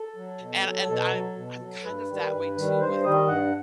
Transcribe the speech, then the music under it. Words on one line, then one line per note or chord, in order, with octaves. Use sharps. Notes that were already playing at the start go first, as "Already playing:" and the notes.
and and I'm I'm kind of that way too with, uh,
Already playing: A4
F#3
B2
F#3
B2 A4
F#3
B2
F#3
G2 B4
D#3 G3
G2
D#3 G3
G2 C5
D#3 G3 D#5
G2 F#5